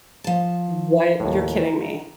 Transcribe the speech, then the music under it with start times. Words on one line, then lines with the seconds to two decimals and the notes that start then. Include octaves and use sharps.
What? You're kidding me.
0.24 F3 A5
1.20 D#2 A2
1.66 A#5